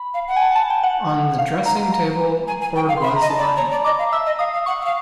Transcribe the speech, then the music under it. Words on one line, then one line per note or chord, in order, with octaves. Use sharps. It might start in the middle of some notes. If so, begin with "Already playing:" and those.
On the dressing-table a cord was lying.
Already playing: B5
F5
F#5
G#5
A5
A5
G5
F#5
F5
A#5
A#5
G#5
G#5
G5
F5
C6
E5 B5
D#5 A#5
A5
D5
B5
C#5 A#5
D5
D#5 D6
F5
E5 E6
D#5
F5 D#6
F5
F#5 C#6
F#5
F5